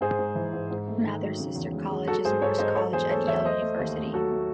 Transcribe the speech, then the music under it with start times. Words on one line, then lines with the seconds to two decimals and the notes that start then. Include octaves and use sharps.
Mather's sister College is Morse College at Yale University.
0.01 G#2 G#4 C5
0.19 G#2
0.35 E3
0.53 G#2
0.71 G#2
0.88 A3
1.05 D#3
1.22 F#3
1.39 C#3
1.55 E2
1.73 G#3
1.90 G#3
2.07 F#3 F#4 A4
2.25 G#2 G#4 C5
2.42 G#2 A4 C#5
2.58 G#2 C5 D#5
2.76 F#3 A4 C#5
2.93 E2 G#4 C5
3.10 A3 A4 C#5
3.27 E2 C#5 E5
3.44 A3 C5 D#5
3.61 A3
3.79 D#2
3.97 A3
4.13 F#3 F#4 A4
4.31 A3